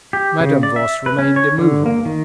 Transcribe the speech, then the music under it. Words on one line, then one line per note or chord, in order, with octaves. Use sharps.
Madame Voss remained immovable.
G4
C#3
D5
E5
B4
C#4
C#5
D3
A#3
D#3